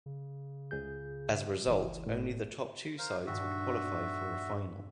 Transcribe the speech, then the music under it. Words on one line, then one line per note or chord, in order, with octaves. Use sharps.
As a result only the top two sides would qualify for a final.
C#3
C#2 G#4 G6
F#1 C#2 E3
A2
A#4 C5 F5
D#1 G2 F#4 E5